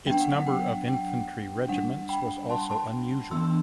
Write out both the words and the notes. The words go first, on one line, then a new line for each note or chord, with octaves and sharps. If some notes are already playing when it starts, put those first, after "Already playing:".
Its number of infantry regiments was also unusual.
F#3 B3 D4 G5
F#5
F#5
G5
G5
G3 D4 F#5
G5 B5
A5 C6
A5 C6
E3 B3 D4 C6 E6